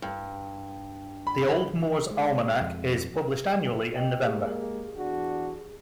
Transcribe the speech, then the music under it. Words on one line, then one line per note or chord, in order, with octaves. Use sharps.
The "Old Moore's Almanac" is published annually in November.
G2
B5
G#3
F2
D#5 G5
G#3 A#3 G4 G#4
E2 D4 F#4